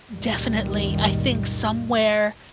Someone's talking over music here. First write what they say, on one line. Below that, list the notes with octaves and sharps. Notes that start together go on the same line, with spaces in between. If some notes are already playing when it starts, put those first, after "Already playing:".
Definitely, I think somewhere
C#2 F#2 A#2 D#3 G3